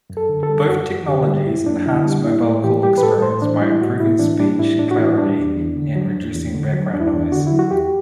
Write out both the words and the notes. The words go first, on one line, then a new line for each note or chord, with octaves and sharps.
Both technologies enhance mobile call experience by improving speech clarity and reducing background noise.
F#2
A4
D3
A4
G3
F#2 F#4
F#2
D3 G4
G3
F#2 E4
F#2 D4
D3 E4
G3 D4
A2 E4
A2
E3 G4
G3 G4
B4
A2 A4
A2 C5
E3 D4
G3 E4
A2 F#4
A2 E4
E3 D4
G3 D4
A2 E4
A2 D4
F#4
E3 E4
G3 D4
E2
E2
D3
F#3
E2
E2
D3
F#3
E2 D4
E4
D4
E2
D3 F#4
E4
F#3
F#4
E2 G4